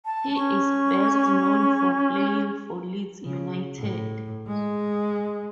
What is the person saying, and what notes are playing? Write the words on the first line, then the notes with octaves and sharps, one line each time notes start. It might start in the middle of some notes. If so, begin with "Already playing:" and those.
He is best known for playing for Leeds United.
A5
C#4 C#6
C#3
A2
G#3